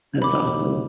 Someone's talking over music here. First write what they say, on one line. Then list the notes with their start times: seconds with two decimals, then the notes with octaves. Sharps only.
That's awesome.
0.22 D#2 B5 D6